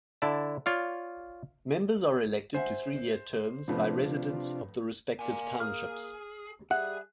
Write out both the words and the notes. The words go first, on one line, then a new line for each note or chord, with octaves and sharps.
Members are elected to three-year terms by residents of the respective townships.
D3 E4 D5 A5
F4 C#5 D5 F5
C5 E5 F#5 G#5
F2 A2 C3 B3 D4 F4
A#3 D5 G#5
G#4 D#6 F6
G3 G#4 E5 F#5 F#6